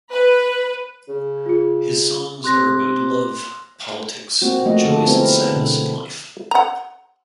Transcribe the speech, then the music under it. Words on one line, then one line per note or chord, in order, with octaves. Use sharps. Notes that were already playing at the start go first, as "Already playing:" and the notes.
His songs are about love, politics and joys and sadness in life.
B4
C#3
F4 G#4
C3 C6 F#6 A#6
A#3 C4 F#4
F3 A3 A#3 C#4 F#4 D#5
D3 F3 A#3 A4
B3 C4 E4 G#4 A#4
B2 D3
F#5 A#5